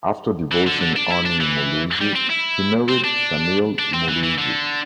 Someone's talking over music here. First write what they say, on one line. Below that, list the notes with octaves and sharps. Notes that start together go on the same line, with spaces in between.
After divorcing Annie Muluzi, he married Shanil Muluzi.
E3
D3
D3
D4
E4
D4
E3
G3
C4
E4
C4
D4
D4
C4
E3
E3
D3